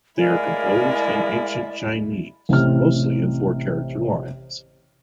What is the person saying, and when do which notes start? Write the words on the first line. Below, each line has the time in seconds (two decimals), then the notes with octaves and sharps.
They are composed in ancient Chinese, mostly in four-character lines.
0.18 A2 G#3 E4 A#4 D5 F5 G#5
2.49 A1 C3 F6